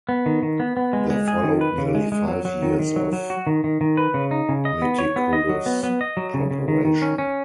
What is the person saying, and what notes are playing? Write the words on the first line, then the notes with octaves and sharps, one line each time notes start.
There followed nearly five years of meticulous preparation.
B3
D#3
D#3
B3
B3
G#3
G#3
G#4
D#3
B4
C#3
G#3
G#3
F#3
F#3
D#3
D#3
F#3
F#3
F#4
D#3
D#3
D#3
B4
C#3
D#4
C#3
D#5
B3
C#5
B3
D#5
F#3
B3
B3
D#5
F#3
C#3
C#3
D#3
D#3
C#4
C#4